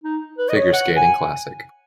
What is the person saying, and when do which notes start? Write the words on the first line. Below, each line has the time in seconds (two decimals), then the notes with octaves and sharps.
Figure Skating Classic.
0.04 D#4
0.38 B4
0.49 D#5
0.57 C#5
0.73 F#5
0.97 G#5